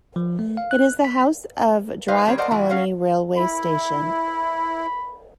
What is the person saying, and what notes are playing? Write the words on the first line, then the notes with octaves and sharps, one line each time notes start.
It is the house of Drigh Colony railway station.
F3
A3
F5
F#6
B6
D#4 B4 C5 E5 F5
D#3 G3 C4 C#5
A#4 C5 D5 D#5 F#5 A5
A#2 E3 G#3 F#4
F#3 C#4 F5 F#5
E4 B5